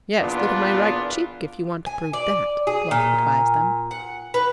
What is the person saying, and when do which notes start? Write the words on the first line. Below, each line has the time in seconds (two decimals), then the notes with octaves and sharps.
"Yes, look at my right cheek, if you want to prove that," Bluff advised them.
0.21 E2 A#2 B3 D4 F4
1.86 G#5
2.13 D5
2.67 G#4
2.91 A#2
3.91 F#5
4.34 B4